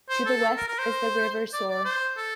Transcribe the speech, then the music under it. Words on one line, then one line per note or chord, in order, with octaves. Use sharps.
To the west is the River Soar.
C5
A4
A#4
A#4
C5
D5
D5
C5
A4